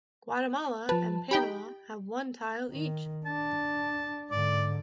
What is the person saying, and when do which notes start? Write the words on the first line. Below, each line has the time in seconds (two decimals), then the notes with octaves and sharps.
Guatemala and Panama have one title each.
0.89 F3 B4 A5
1.31 D#4 G4 G5 B5
2.71 D#3
3.26 D4 A5
4.31 G#2 D3 D5